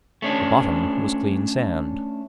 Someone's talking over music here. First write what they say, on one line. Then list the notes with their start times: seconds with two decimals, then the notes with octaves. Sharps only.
The bottom was clean sand.
0.22 A3 C#4 D4